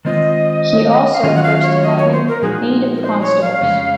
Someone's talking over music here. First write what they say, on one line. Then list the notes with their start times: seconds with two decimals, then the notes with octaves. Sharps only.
He also refers to having "native constables".
0.05 D#3 G#3 C4 F4 D#5
1.13 F5
1.23 D#3 F#3 C#4 F4 D#5
1.35 F#5
1.43 F5
1.63 C#5
1.82 D#5
1.98 C#5
2.12 C5
2.27 A#4
2.42 A#2 F3 G#3 D#4 F#4 G#4
2.97 A#4
3.02 C5
3.21 C#5
3.42 F5
3.61 F2 C#3 G#3 C#4